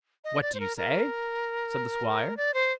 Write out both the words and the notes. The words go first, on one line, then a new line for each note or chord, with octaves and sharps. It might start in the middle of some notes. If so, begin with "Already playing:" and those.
'What do you say?' said the Squire.
D#5
D5
C5
A#4
A#4
D5
C5